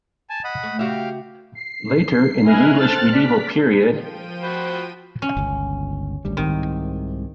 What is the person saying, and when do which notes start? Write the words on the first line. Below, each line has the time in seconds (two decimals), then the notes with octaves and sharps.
Later, in the English Medieval period.
0.30 G#5 A5
0.44 D#5 F#5 B5
0.63 A3
0.79 C#3 F#4 G4 E5 F5 G5
1.55 C7
2.46 E4 D#5 G#5 F6 F#6
2.80 C4 A4 A6
3.12 D5 B6
3.81 F3 G5 D#7
4.43 F#4 C5 B5
5.22 C#4
5.37 G1 C#2
6.25 G#1 D2 G3
6.37 C2 G#2 C3 D#3